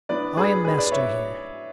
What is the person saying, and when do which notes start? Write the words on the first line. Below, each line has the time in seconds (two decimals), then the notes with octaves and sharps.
I am master here.
0.09 E3 B3 D4 B4 D5
0.37 G#4 B4
0.64 G#4 B4
0.78 B4 D5
0.91 C#5 E5